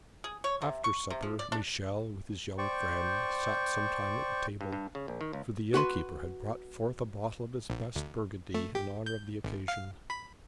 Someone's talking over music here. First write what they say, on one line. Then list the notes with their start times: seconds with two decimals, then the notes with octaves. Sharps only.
After supper Michel with his young friend sat some time at the table, for the innkeeper had brought forth a bottle of his best Burgundy in honour of the occasion.
0.24 G#4
0.44 C#5
0.62 C3
0.84 C#6
1.10 C3
1.23 F3
1.39 D5
1.52 D4
2.58 C5 D5 G5 C#6
4.61 G2
4.72 G2
4.95 C#3
5.08 A#1
5.21 D#3
5.33 C#2
5.74 F#4 B4 C6
7.70 A#1
7.95 D2
8.55 A3
8.75 G4
9.06 G6
9.44 G#1
9.68 F5
10.10 B5